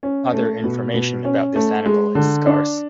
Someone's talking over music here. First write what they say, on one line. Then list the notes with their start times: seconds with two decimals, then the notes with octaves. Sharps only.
Other information about this animal is scarce.
0.03 C#4
0.33 A3
0.64 B2
0.94 B2
1.25 C#4
1.56 A3
1.86 G#3
2.15 D3
2.46 D4